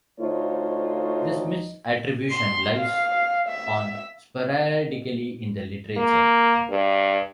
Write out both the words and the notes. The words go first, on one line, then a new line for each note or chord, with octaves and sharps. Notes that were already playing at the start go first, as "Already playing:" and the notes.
This misattribution lives on sporadically in the literature.
D2 A3 D#4 F4 C5 C#5
C6
F5
E5
A#3
G2